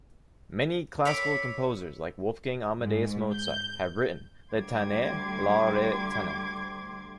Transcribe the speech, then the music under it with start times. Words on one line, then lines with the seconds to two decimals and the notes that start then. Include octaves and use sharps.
Many classical composers, like Wolfgang Amadeus Mozart have written "Litaniae lauretanae".
1.05 C#5 E5 B5 D6
2.79 G#2
3.33 G6
4.53 D2 G3 C6 D6 G#6